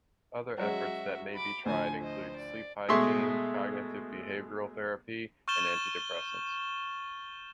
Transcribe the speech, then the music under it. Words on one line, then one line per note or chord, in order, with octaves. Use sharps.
Other efforts that may be tried include sleep hygiene, cognitive behavioral therapy, and antidepressants.
F#3 G#3 C#4 F#4 E5
B5 D6
D2 A2 F3 C5 G#5
C5 D#5
D5
B2 G#3 A3 E5 C6 C#6
C#6 F6 G6 A6 E7 G7